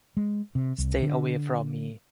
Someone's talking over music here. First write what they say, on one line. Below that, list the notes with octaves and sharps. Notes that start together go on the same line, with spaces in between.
Stay away from me.
G#3
C3
C2
D3